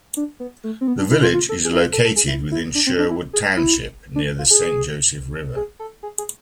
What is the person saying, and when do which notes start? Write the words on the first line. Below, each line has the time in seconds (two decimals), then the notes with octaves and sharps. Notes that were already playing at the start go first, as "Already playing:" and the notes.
The village is located within Sherwood Township near the Saint Joseph River.
0.17 D4
0.40 B3
0.64 A3
0.81 C4
0.88 B3
0.99 D4
1.11 E4
1.22 F4
1.34 F4
1.49 A4
1.65 G#4
1.73 E4
1.81 F4
1.92 A4
2.05 A4
2.16 G#4
2.28 E4
2.51 E4
2.75 D4
2.86 C4
2.98 D4
3.10 E4
3.33 G#4
3.57 E4
4.15 D4
4.39 F4
4.50 G#4
5.56 G#4
5.79 A4
6.03 G#4
6.18 G#4